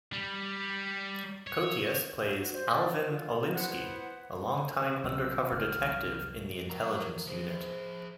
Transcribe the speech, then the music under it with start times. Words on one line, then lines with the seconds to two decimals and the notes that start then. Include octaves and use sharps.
Koteas plays Alvin Olinsky, a longtime undercover detective in the Intelligence Unit.
0.13 G3
1.47 C#5
2.36 F#4
2.53 C5
2.72 D5
2.96 C5
3.10 F4
3.54 B3 E4 C5 F#5
5.04 B1 E6
5.52 F#1 F6
5.79 C2 F#3
6.70 F#3 A#4 A#5
7.27 F3 G#4 C5